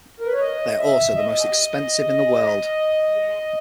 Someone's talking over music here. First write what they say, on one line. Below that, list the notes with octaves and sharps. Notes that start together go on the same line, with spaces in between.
They are also the most expensive in the world.
A#4
B4
C#5
D#5
E5
D#5